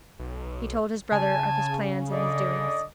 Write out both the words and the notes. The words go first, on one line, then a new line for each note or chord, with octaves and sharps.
He told his brother of his plans and his doings.
B1
C#3 G#5 A5
D3 D5 D#5